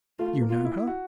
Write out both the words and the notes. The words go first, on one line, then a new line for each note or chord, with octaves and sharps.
"You know her?"
A3 F4
A#3
F4
E4
F#4